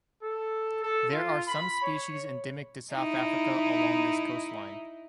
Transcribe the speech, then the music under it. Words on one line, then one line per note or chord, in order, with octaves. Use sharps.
There are some species endemic to South Africa along this coastline.
A4
A4
F4
B5
C#5
D#4 E4